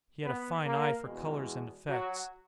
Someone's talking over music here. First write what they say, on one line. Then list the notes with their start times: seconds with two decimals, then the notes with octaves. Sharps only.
He had a fine eye for colors and effects.
0.23 B3 B4
0.64 A#3 A#4
1.05 E2 B2 G#3
1.88 F#3 F#4